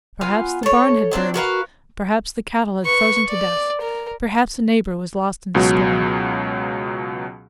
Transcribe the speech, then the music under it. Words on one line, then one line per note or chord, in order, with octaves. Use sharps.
Perhaps the barn had burned; perhaps the cattle had frozen to death; perhaps a neighbor was lost in the storm.
B3 F4 F5 G#5
A4 C#5
F#3 C4 D4 F4
F#4 A#4 B4 F5
B4 C#6
D5
A#4
C#2 B2 F#3